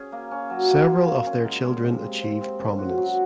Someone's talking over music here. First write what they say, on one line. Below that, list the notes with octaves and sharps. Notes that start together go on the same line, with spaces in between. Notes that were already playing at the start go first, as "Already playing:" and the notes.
Several of their children achieved prominence.
Already playing: C#4 G#4
A#3
C#4
F#3
A#3
F4
A#3
C#4
G#3
G#3
C3
C3
C4
C4
C#4
F#4
F#3